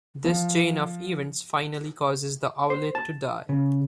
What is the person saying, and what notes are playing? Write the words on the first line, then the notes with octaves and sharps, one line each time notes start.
This chain of events finally causes the owlet to die.
F3
C5
A5
C#3